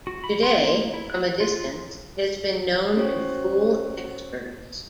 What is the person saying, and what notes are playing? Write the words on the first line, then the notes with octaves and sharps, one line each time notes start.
Today, from a distance, it has been "known to fool experts".
F#4
B5
C6
A#3
E4
F#6
F4
F4
C#4 F#4 C5 C#5